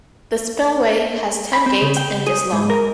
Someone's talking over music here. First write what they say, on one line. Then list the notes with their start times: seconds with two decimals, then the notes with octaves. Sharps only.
The spillway has ten gates and is long.
1.53 B5
1.66 C4
1.82 C#3
1.97 G5
2.27 G#4
2.52 G#2
2.70 A#4